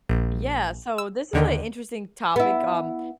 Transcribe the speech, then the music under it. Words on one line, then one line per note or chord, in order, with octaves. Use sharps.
Yeah, so, this is a interesting topic, um,
A#1
E6
D#2 D3 D#3
B3 E4